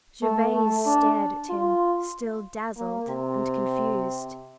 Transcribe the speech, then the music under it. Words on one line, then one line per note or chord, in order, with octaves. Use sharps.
Gervase stared at him, still dazzled and confused.
A3
A3
D4
F4
A#3
C3